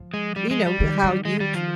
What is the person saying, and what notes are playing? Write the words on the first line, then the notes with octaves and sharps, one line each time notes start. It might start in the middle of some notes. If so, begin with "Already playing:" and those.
you know, how you tr
Already playing: F3
G#3
G3
G#3
G3
D#3
D#3
G#3
G3
F3